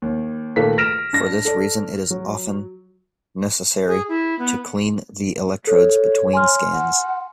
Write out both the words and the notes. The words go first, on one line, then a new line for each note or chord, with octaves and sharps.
For this reason it is often necessary to clean the electrodes between scans.
D#2
A#2 D#3 A3 A#3 B4 B6
F6 A#6 B6 D7 E7
D4 A#6
A4 D5
F#3
G#4
E4
B3
A4 C#5
G#5 C6 F6
F#5